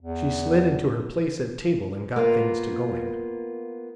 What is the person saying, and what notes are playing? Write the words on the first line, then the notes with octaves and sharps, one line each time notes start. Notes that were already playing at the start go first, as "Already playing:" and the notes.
She slid into her place at table and got things to going.
E2
A#3 B3 F4